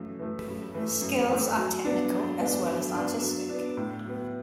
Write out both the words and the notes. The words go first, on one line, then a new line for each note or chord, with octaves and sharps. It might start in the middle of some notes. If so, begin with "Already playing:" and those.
Skills are technical as well as artistic.
Already playing: F#2 E3 A3
E3 A3
F#2
E3 A3
F#2
E3 A3
F#3
B3 D4
F#3
B3 D4
F#3
B3 D4
F#3
B3 D4
A2
F#3 B3